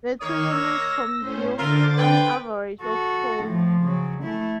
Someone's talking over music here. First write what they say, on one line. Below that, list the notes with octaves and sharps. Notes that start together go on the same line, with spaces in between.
The two units consume on average of coal.
D#3 A#3 D#4 C#5 D#6
E6 A#6
A2 C#4 C5
D3 F4 A#4 C5 E5 D6 A6
B4 G5
F#4 A4
A2 F3
C#3 F#3
A3 E4